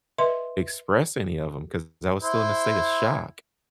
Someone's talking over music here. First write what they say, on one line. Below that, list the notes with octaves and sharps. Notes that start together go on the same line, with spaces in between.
express any of them 'cause I was still in a state of shock.
B4 D#5 E5 C6
E4 C5